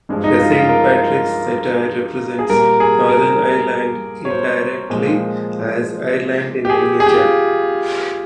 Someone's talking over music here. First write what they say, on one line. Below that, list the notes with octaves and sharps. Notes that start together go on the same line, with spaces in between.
The Saint Patrick's Saltire represents Northern Ireland indirectly as Ireland in the Union Jack.
G2 F3 G#3
D#4
F4
F4
A#4
G#4
A#2 G3 A#4
G#4
A#4
C#5
C5
A#2 F3 G#3
G4
G#4
G#4
G4
F4